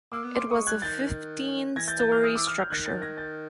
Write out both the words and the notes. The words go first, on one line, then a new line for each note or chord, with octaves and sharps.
It was a fifteen story structure.
A#3 D6 E6
B3
A#3 C6 D6
A3 C#6 D#6
G#3
G3 F#6 G#6
D#3 G6 A6
E3 G#6 A#6
G6 A6
G6 A6
F6 G6
D#6 F6
D6 E6
D#6 F6
F6 G6
D#3 F#6 G#6
G6 A6
G#6 A#6
G6 A6